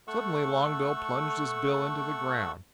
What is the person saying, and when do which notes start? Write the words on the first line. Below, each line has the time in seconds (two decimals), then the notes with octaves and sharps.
Suddenly Longbill plunged his bill into the ground.
0.08 A3 A4 F#5 C#6 E6